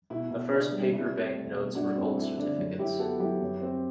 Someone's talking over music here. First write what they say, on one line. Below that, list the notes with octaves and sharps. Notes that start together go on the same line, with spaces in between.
The first paper bank notes were gold certificates.
B2 E4
B2
B3 D4
G3
C2 E4
C4
A3
B2
G2 D4 F#4
C4 E4
A3 E4
D3 D4
F#2
F#2 E4 G4
B3 F#4 A4
F#3 E4 G4
F#2
C4